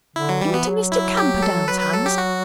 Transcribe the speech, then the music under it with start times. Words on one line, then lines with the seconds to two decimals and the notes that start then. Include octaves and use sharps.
"Into Mr. Camperdown's hands!"
0.16 D3 E4
0.29 F#3
0.41 E3 G3
0.54 B3
0.67 F#3
0.92 E4
1.17 G4
1.42 A4
1.67 F#3 B4
1.81 B4
1.93 A4
2.06 G4
2.18 F#4